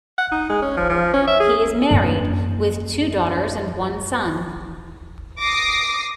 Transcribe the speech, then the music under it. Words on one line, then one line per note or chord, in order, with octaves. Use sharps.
He is married with two daughters and one son.
F#5
D#4
G#3
C#4
F3
F3
C#4
E5
G#4
F#2 A#3
D6 D#6 A#6 C7